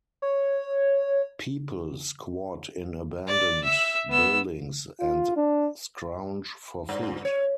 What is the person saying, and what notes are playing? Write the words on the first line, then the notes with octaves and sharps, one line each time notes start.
People squat in abandoned buildings and scrounge for food.
C#5
D5
E5 E6
B3 E6
F4
D4
G2
C#5